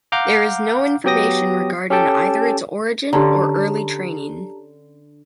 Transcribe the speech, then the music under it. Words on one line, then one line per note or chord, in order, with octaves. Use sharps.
There is no information regarding either its origin or early training.
F5 F#5 A#5 D6 F6 G6
F#3 B3 G4 G5 D#6 A#6
C#4 G4 A4 G5 A5
D3 C#4 G4 A5 A#5